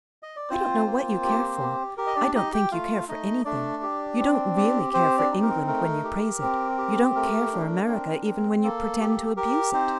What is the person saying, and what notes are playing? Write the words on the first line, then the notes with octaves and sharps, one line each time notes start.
"I don't know what you care for; I don't think you care for anything. You don't really care for England when you praise it; you don't care for America even when you pretend to abuse it."
D#5
D5
C4 F4 C5
A#3
G4
G4
G4 A#4
D#5
D4 D5
D#4 G4 D#5
G4 G5
A3 F4 F5
A3 D#4 D#5
A3 D4 D5
G4
C4
G4
C4 C5
D4 D5
D#4
A#4
A3 A#4
G4
C4
G4
A3 A#4
D4
C4
C4
A#3 A4
G4
G4 A#4
C4 D#4 C5